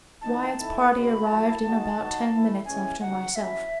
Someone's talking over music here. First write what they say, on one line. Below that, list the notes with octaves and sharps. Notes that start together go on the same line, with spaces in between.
Wyatt's party arrived in about ten minutes after myself.
E3 B3 D#4 F#4 A5
D#3 A3 E4
C#3 G#3 B3 F#4 B5
F#3 A3 E4 A5
D#3 G#3 D#4 F#4
D#3 F#3 B3 D#4 F#4
E3 A3 E4
E3 G#3 C#4 G#5
C#3 G#3 D#4 F#4 F#5
F#3 C#4 E4 E5